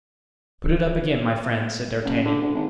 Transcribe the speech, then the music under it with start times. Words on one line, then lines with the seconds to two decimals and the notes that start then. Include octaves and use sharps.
"Put it up again, my friend," said D'Artagnan.
2.04 F#1
2.25 D3
2.41 D2
2.54 G#1